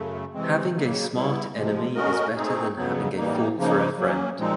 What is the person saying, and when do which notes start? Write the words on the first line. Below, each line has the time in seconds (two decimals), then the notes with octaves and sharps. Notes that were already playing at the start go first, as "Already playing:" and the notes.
Having a smart enemy is better than having a fool for a friend.
Already playing: F#2 C#3 A3
0.34 C3 E3 G#3 C4
0.74 C#3 F#3 A#3
1.14 G3 B3 E4
1.55 C3 F3 G#3
1.95 A3 C#4 F#4 A#4 D#5
2.36 A3 C4 D#4 G#4
2.76 F2 C#3 F#3 B3
3.17 A2 E3 G3 A#3 D#4
3.57 C#3 F3 A#3 D#4
3.98 F#3 A#3 C#4
4.38 A#2 F3 G#3 C4 D#4